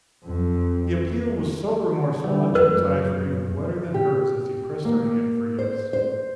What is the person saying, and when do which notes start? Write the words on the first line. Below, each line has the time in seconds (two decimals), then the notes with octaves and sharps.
The appeal was so remorseful that Jude's eyes were even wetter than hers as he pressed her hand for Yes.
0.24 F2
2.24 D3 E3 G3
2.55 F#2 B4
3.94 G4
4.85 A#3
5.59 C5
5.93 C5